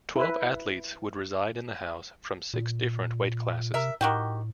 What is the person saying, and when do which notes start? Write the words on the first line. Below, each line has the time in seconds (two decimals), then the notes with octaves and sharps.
Twelve athletes would reside in the house from six different weight classes.
0.16 E4 B4
2.54 A#2
3.74 C3 A#4 E5
4.01 A2 D#3 F#4 G4